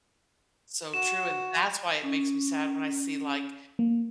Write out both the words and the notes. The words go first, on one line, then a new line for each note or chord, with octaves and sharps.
So true and that's why it makes me sad when I see, like,
F#4 E7
C#4
A#3